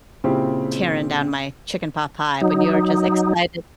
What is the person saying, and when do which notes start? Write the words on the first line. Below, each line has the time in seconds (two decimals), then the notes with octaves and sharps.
tearing down my chicken pot pie when you were just excited.
0.24 A#2 C#3 C4 E4 G4
2.41 F#3 D#4